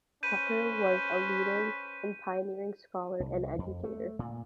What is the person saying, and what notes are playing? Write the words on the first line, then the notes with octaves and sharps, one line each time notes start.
Tucker was a leading and pioneering scholar and educator.
C#4 B4 C5 G6 D#7
C2
F2
A3
A#2